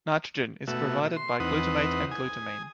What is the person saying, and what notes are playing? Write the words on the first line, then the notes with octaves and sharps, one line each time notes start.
Nitrogen is provided by glutamate and glutamine.
B2 A3 F#4 E5
C6
E2 C4 D#4 B4 F#5 D#6
G#5 D#6